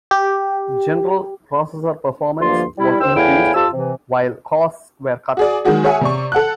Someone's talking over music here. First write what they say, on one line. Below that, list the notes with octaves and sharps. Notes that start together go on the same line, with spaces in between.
General processor performance was increased while costs were cut.
G4
D2 G2 F3 A#3 F4 C6
G3 E4
D#2 C5 G5 E6
E2 A2 E4 F5 G5 G#5
F2 F4 G4 A5 E6
C3 E3
F#4 G#4 D5
D#3 F#3 G#3 F#4 G#4
G#4 C#5 E5 F#5 G#5
C3 D5 C#6
A4 F#5 A5 F#6